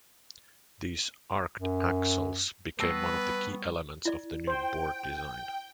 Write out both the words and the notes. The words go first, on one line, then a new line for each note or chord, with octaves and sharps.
These "arced axles" became one of the key elements of the new board design.
F#2
G3 B3 B4 A5 C#6 E6 A#6
E4 D5
C5 G5